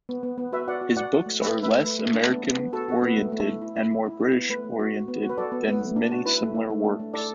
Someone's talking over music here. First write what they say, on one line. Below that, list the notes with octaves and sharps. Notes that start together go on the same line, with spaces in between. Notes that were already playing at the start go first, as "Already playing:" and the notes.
His books are less American-oriented and more British-oriented than many similar works.
B3
B3
B3
F#4 B4 E5
F#4 D5 F#5
F#4
F#4 D5 F#5
F#4
A3
A3 B4 E5
E4
B4 E5
A3
A3 B4
A3
D4
B3
B3
B3
F#4 A4
F#4
B3
A3
A3
E4
E4
E4
E4
E4
E4
B3
A3 B4
A3
F#4
F#4
B3
F#4
B4
F#4 A4 D5
B3
B3
A3
D4
F#4
E4 B4
A3
E4
A3
D4
A3
E4 A4 D5